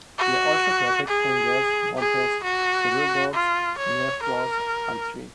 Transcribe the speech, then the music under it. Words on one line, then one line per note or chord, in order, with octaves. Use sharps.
They also protect fenders, bumpers, floor boards, nerf bars and trim.
F#4
G#4
G#4
F#4
F4
C#5
A#4